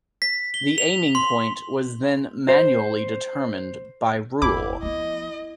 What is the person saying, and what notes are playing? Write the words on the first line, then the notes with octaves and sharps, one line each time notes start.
The aiming point was then manually determined by rule.
B6
G7
F7
C6
C5
G1 E2 E4 D6
F3 B3 D#5